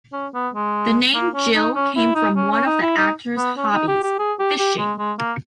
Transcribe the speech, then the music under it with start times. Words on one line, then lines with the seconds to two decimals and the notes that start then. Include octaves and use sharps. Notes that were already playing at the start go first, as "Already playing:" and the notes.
The name Gil came from one of the actor's hobbies, fishing.
0.13 C#4
0.34 B3
0.54 G#3
1.14 A#3
1.35 C#4
1.55 D#4
1.75 C#4
1.96 E4
2.15 D#4
2.36 C#4
2.52 C#4
2.66 D#4
2.82 E4
2.97 D#4
3.37 B3
3.57 C#4
3.73 D#4
3.88 G4
4.03 G4
4.19 G#4
4.39 G4
4.59 G4
4.79 G#3
4.99 G#3
5.19 A#3